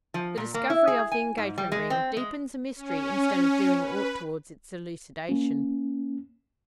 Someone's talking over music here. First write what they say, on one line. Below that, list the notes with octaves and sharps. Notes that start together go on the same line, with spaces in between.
The discovery of the engagement ring deepens the mystery instead of doing aught towards its elucidation.
F3
A#2
A#3
E4
G#4
G#5
G#2
G3
G#3
C4
G#3
C#4
B4
A#3 C#4